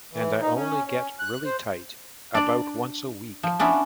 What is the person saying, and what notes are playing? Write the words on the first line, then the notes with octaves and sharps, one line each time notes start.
And I only get really tight about once a week.
E3
D#4
C#4
C#4
F#6
C5
D4 D5
F3
B3 C#4 D4 E4